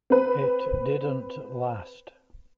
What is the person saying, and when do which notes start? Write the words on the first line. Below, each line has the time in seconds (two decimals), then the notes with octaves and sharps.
It didn't last.
0.10 C4 B4